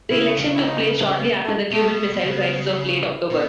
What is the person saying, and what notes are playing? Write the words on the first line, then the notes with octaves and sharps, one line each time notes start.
The election took place shortly after the Cuban Missile Crisis of late October.
C#3 E4
E4
D#4
B3
A3
B2 A3
B2
C#3 B3
B2 B3